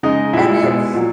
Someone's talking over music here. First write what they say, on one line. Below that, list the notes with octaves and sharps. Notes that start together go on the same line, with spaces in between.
and it's
C#3 G#3 D#4 D#5
A#2 G#3 E4 E5
B2 G#3
A#2 F#3